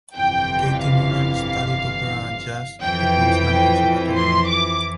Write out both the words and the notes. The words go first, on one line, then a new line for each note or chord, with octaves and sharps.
Katie Noonan studied opera and jazz at the Queensland Conservatorium.
G1 F2 C3 E3 G5
F5
F2 E3 G5
C6
D6